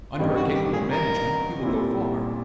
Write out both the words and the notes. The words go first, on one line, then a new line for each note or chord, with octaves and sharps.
Under a capable management he will go far.
F4
A1 G2 D#3 G3 C4 E4
F#4
G4
G#4
A#4
A#2 G3 C4 E4